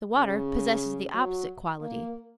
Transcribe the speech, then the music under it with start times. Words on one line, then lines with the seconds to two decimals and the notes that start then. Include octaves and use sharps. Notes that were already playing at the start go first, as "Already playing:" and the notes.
The water possesses the opposite quality.
0.15 C#3
1.14 F#3
1.81 A#3